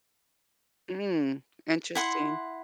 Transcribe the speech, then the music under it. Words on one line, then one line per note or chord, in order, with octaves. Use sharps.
Mm, interesting.
E4 F#5 C6